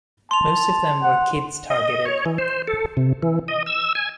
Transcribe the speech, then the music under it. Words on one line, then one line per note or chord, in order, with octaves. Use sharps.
Most of them were kids-targeted.
A5 C6 F7
F#5
D#5
C#5
E3
C5
A4
C3
E3
D#5
E6
G#5